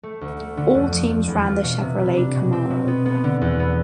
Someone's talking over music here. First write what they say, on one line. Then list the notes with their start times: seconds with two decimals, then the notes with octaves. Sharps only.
All teams ran the Chevrolet Camaro.
0.03 A3
0.21 D2
0.40 A3
0.57 D3
0.75 F2
0.92 F3
1.10 F3
1.28 E2
1.46 F4
1.63 B2
1.81 C3
2.00 G3
2.17 D4
2.35 B2
2.53 C4
2.70 B2
2.88 B3
3.06 B3
3.24 D3
3.41 E2
3.60 B3